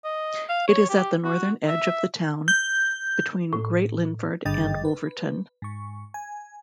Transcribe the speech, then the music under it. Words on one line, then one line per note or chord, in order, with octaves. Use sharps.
It is at the northern edge of the town, between Great Linford and Wolverton.
D#5
F5
C#5
G4
F#4
E5
G6
A2
G#1 G2 D3 D#5 G5 A6
B4
G#2 C#6
G#5